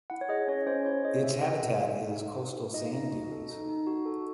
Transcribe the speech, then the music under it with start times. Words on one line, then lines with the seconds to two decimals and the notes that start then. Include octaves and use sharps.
Its habitat is coastal sand dunes.
0.10 E4 F#5
0.21 C#5
0.29 G#4 D#5
0.48 C#4 C#5
0.66 C#4 C5
0.85 E4 C#5
1.05 G#4 D#5
1.17 D#5
1.23 D#4 E5
1.43 D#4
1.61 F#4
1.80 A4
1.99 D#4
2.18 D#4
2.36 F#4
2.55 A4
2.74 D#4 D#5
2.93 D#4
3.12 F#4
3.31 A4
3.50 D#4
3.69 D#4
3.87 F#4
4.05 A4